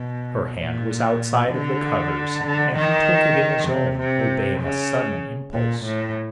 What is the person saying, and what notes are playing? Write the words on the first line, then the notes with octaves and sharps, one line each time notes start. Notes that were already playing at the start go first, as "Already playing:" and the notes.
Her hand was outside of the covers and he took it in his own, obeying a sudden impulse.
Already playing: B2
A#2
D3
D3
D#3
C3
C3
C#3
A#2
A2